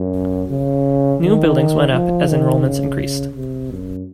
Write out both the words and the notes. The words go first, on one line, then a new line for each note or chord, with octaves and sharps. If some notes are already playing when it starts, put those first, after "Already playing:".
New buildings went up as enrollments increased.
Already playing: F#2
C#3
D#3
F3
D#3
C#3
C3
F#2